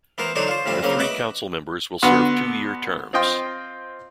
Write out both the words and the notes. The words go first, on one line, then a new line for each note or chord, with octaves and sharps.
The three Council Members will serve two-year terms.
E3 B3 A#4 C5
D3 F#3 D4 D#4 C5 C#5
F4 C5
D2 A2 F3 G3 C4 E5
C#3 F#3 A#3 C4 C#4
F#4 B4 D#5 E5 D6
D3 B3 F#4 C6
C4 F4 D#5 G5 C6